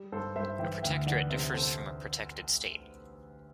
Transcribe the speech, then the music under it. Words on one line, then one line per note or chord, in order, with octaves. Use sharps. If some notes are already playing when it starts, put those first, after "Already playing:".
A protectorate differs from a "protected state".
Already playing: G3
G2 A4 C5
G2 C5 E5
E3 E5 G5
D2 E5 G5
E3 D5 F#5
C3 C5 E5
C3 A4 C5